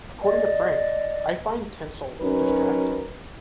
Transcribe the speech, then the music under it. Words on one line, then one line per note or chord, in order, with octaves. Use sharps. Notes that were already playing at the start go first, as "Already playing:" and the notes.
According to Frank, I find tinsel distracting.
D5 D#5
F#3 C#4 D#4 F#4 A#4 B4